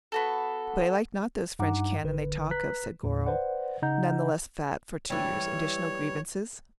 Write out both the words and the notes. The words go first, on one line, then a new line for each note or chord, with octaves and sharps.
"But I like not those French cannon they talk of," said Goro, none the less fat for two years' additional grievances.
B3 F#4 A4
G2 D#4 F#5 A#5 D6
G#1 D3 B4
B4 A#5 F#6 B6
D#2 A2
B4 C5 D5 F#5
C#3 D#4 D#5 F#5 A#5 G6
E3 G3 C#5